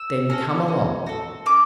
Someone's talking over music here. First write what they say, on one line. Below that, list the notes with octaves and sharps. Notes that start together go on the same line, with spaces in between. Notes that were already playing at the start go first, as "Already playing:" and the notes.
"Then come along."
Already playing: E6
C#4 F#4 A4
C#4
F#4 A4
C#4 D6